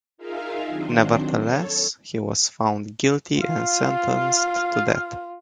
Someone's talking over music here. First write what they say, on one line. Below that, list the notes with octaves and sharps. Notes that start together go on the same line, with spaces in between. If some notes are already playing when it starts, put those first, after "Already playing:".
Nevertheless, he was found guilty and sentenced to death.
D#4 F4 G#4 A#4 E5 F5
D#3 F#3 C4 D4 C5
A4 C#5
F4 F5